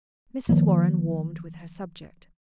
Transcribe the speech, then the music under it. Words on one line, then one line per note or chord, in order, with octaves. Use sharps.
Mrs. Warren warmed with her subject.
D#3 F3 A#3